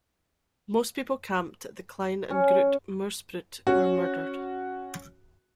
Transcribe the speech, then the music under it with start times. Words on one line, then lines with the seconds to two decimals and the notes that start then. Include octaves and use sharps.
Most people camped at the Klein- and Groot-Moordspruit were murdered.
2.30 C#4
3.67 C#4 F#4